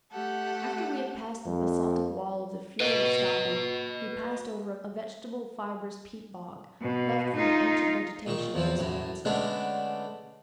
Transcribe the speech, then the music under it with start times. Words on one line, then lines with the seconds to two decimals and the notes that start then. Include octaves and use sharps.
After we had passed the basaltic wall of the fiord of Stapi we passed over a vegetable fibrous peat bog, left from the ancient vegetation of this peninsula.
0.11 A3 G4 A4 F#5
1.46 F2
2.80 B4 D#5
6.82 B2
7.37 D#4 F4
8.26 A#2 D#3 C#6
8.54 E2 F3 C4
8.79 F#2 A2
9.25 D3 G#3 A3 B3 C#4 D4